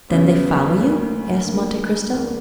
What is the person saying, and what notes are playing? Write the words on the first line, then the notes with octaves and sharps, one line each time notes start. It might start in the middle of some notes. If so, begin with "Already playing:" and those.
"Then they follow you?" asked Monte Cristo.
E2 C#3 F#3 B3
D2 D3 A#3
D2 D3 A#3
E2 D3 A#3